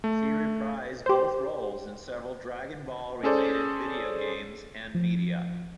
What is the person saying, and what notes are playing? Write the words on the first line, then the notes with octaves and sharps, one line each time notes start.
She reprised both roles in several "Dragon Ball" related video games and media.
A3
G4 C5
C#4 G#4 A4 C5 D5
F3